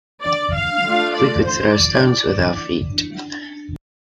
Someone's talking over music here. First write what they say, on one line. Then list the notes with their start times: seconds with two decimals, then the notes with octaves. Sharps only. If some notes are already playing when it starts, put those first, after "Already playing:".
We could throw stones with our feet.
0.22 D5
0.54 F5
0.84 A3 D4 F4
1.15 D5
1.46 C5
1.76 D5